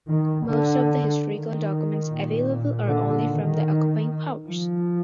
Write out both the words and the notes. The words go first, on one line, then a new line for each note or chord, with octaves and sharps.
Most of the historical documents available are only from the occupying powers.
D#3
D3
D#3
A#2
D3
D#3
F3